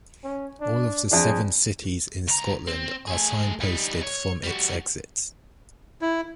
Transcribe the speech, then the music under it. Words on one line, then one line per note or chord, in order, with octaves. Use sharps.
All of the seven cities in Scotland are signposted from its exits.
C#4
D4
F2 D4 G#4
C#2 A#5
C4
A3 G#4
G3 D#4
C#5
G3 F#4
E4